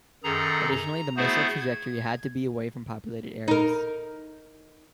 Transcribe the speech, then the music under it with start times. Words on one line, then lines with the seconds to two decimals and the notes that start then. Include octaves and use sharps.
Additionally, the missile trajectory had to be away from populated areas.
0.24 F#2 D#3 G#4 A4 A#5
0.71 A#5
1.17 A3 B3 E4 F#4 G#4 C5
1.61 G#6
3.48 D#4 A#4